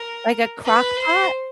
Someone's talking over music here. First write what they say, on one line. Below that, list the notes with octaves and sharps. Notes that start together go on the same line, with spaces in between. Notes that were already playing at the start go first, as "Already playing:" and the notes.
Like a crock pot?
Already playing: A#4
B4
C5